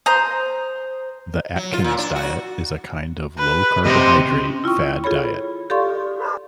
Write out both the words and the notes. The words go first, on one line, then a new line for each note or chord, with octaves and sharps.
The Atkins diet is a kind of low-carbohydrate fad diet.
C5 A#5 D#6
F#3
F4
A#2
D4
F#4
B4
C3 C5 D#5
C#4
E4 F4 G5 C#6
F4 G#4 A4 C#5 B5
G4 A4 D5 F5 C6 C#6